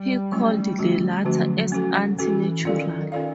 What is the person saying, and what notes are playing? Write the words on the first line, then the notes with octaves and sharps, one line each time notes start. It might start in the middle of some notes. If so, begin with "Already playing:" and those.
He called the latter as anti-natural.
Already playing: G3
F#3 A3 C#4 F4
D3 F3 A3 C#4 F#4
D3 F3 F#3 A3 C#4 F#4
C#4 F#4 A4
E3 C#4 F#4 A4
D#3 C#4 F4 A4 D5 F5
C#4 F4 A4 D5 F5